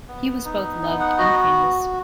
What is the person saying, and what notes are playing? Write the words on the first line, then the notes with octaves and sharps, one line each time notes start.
He was both loved and famous.
B3
D#4
B3
F#5
F#4 D#5